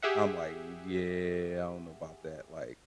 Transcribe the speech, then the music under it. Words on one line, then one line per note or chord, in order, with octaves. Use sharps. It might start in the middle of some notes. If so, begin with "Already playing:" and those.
I'm, like, "Yeah, I don't know about that," like
G4 G#4 E5 F#5